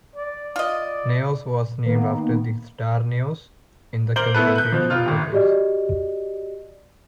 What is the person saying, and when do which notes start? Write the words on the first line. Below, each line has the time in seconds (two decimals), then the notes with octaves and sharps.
"Naos" was named after the star Naos, in the constellation Puppis.
0.16 D5
0.56 F4 D5 D#5
1.85 D#3 A#3 B3
4.16 A#4 C5 D6 G6 F#7 G7
4.34 A3 B3 E4 A4 B4
4.56 F#6 G6
4.72 B2 F3
4.90 F1 F4 F6
5.06 G1 D#2
5.32 F#4 G4 D5 D#5